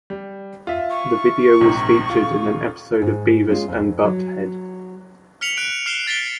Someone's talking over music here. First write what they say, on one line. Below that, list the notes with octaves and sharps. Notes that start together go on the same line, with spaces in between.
The video was featured in an episode of Beavis and Butt-head.
G3
F4 E5
C#6
A#1 G#2 C3
D#1 F4
G#2
G#3 C#4 F4
F2
F#3
F6 B6 C#7 F7 F#7
F#6 D7
F6 C7 C#7 E7 G7
F#6 A6 B6 C7 D7 G7